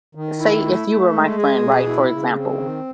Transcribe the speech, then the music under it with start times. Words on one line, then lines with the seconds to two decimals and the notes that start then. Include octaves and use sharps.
say if you were my friend, right, for example,
0.15 D#3
0.39 E4
0.64 A3
0.88 A3
1.13 G#3
1.37 G#4
1.62 B2
1.86 E4
2.11 C#3
2.35 C4
2.59 D#3